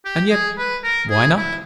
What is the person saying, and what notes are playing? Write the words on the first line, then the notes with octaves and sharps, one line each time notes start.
And yet--why not?
G4
G#4
B4
A#4
G#4
E4